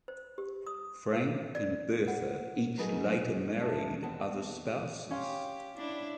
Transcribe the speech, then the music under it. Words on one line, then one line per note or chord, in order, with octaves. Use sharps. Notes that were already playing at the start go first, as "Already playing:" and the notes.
Frank and Bertha each later married other spouses.
C5
G4
D#6
A#4
D5
F#5
F#3 A3 D#4 G#4 A#4 B4
G#3 D4 E5 A5
D#2 B3 C4 F#5 A5
C#4 G4 F5 C6
D4 E4